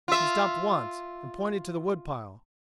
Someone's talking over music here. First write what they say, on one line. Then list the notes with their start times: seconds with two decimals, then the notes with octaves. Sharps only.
He stopped once, and pointed to the wood pile.
0.08 F4 E5